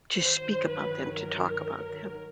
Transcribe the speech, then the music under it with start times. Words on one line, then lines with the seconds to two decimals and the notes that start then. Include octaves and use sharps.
to speak about them, to talk about them,
0.19 G2 D#3 F#3 C5
0.68 B4
1.16 A#4